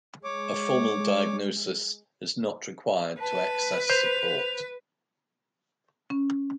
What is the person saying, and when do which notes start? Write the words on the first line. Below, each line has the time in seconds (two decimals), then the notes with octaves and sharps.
A formal diagnosis is not required to access support.
0.24 G#3 C#5 D6
3.20 B4 A5
3.90 C5 F7
6.10 C#4